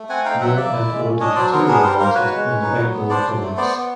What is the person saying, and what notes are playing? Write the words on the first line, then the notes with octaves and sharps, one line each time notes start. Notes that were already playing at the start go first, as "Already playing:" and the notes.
Law and order deteriorated in the Bengal province.
Already playing: A3
C4 F#5 G#5
D#4 F5 G5
F#3 E5 F#5
A#3 D5 E5
E4
G#3
C#4
D4 C#5 D#5
F#3 C5 D5
B3 A#4 C5
D4 G#4 A#4
G3 A#4 C5
A#3 A#4 C5
F#4 B4 C#5
G#3
C#4
D#4
F#3
B3
D4 C5 D5
F#3
A3
B3 C5 D5
B3